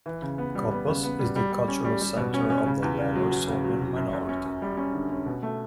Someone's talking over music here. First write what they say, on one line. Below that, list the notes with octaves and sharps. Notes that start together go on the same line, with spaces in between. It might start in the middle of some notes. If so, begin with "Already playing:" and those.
Cottbus is the cultural centre of the Lower Sorbian minority.
E3
C#3
B3
G3
B3
C#3
B3
G3
G3
G3
C#4
G3
G3
B2
C#4
C#4
C#3
E2
C#3
F#3
F#3
C#3
F#3
F#3
F#2
F#2
C#4
F#2
G3
C#4
D3
C#4
B2
A3